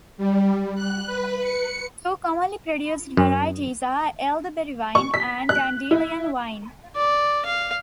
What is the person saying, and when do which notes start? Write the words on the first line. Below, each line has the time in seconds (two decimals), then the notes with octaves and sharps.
Two commonly produced varieties are elderberry wine and dandelion wine.
0.18 G3
0.75 F#6
1.07 B4
1.40 C#7
3.17 F#2
4.95 C#6
5.14 B6
5.49 F#6
5.91 E4
6.96 D5
7.45 F5